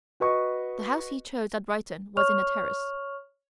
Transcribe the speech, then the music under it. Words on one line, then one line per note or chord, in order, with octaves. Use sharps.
The house he chose at Brighton was in a terrace.
F#4 B4 D#5 C#6
C#5 C#6 F6 F7